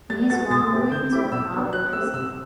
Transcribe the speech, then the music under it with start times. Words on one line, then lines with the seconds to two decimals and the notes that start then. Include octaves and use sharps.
These wrongdoings were not an accident.
0.10 G3 A6
0.30 B3 F#4 A4 A6
0.50 B2 A6
0.71 A3 C4 G4
0.92 D3 G6
1.12 A3 C4 E4 G4
1.32 B2 E6
1.53 F#3 B3 D4
1.73 F#3 F#6
1.93 A3 C4 G4 E6
2.14 C3 E6